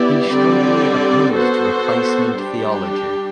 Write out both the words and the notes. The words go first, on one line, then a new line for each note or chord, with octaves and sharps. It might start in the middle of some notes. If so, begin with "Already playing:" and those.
He strongly opposed replacement theology.
Already playing: B3 E4 G4 D5
D3 G3 C4 G4 D5
B3 F#4 A4 C5
G3 D4 G4